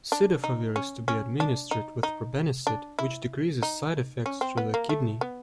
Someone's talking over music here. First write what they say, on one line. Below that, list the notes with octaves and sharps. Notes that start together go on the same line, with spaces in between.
Cidofovir is to be administered with probenecid which decreases side effects to the kidney.
D4
D#4
C#4
C#4
D4
D#4
D#4
D4
E4
D#4
C#4
C4
B3
A#3
A3
B3